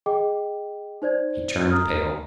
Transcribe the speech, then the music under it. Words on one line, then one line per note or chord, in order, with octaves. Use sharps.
He turned pale.
G#4 D#5 G5 D6
D#4 C5 D5 G#6
A#5 D#6 F6